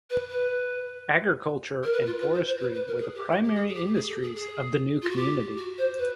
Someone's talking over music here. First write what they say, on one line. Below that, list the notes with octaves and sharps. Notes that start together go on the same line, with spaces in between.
Agriculture and forestry were the primary industries of the new community.
B4
B4
A#4
B4
F4
B4
C5
C5
B4
B4
A#4
G#4
G4
G4
G#4
G#4
G4
G#4
A4
G#4
G#4
F4
F#4
G4
F#4
C5
B4